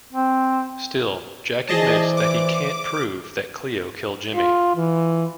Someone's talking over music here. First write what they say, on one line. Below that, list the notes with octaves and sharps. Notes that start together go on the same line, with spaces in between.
Still, Jack admits that he can't prove that Cleo killed Jimmy.
C4
E3 G#4 C5 D5 D#5 A5
D6
F4
E3